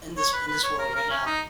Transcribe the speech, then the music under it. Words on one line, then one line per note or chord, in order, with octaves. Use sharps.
in this in this world, right now.
C#5
B4
B4
C#5
A#4
A#4
C#4
D#4